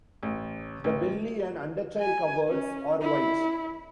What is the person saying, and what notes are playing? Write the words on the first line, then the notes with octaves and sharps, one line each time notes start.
The belly and undertail coverts are white.
A1
A1
G#5
C#4
E4